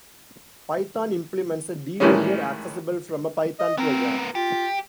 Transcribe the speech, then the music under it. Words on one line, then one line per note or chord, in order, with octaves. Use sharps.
Python implements a debugger accessible from a Python program.
A2 D#3 E3 G3 G#3 C#4
D#5
B3 C4 A#4
F4 G4